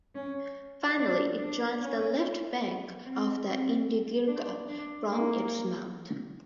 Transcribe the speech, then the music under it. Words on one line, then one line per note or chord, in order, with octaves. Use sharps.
Finally it joins the left bank of the Indigirka from its mouth.
C#4
D4
D4
C#4
C4
C4
D4
D4
A#3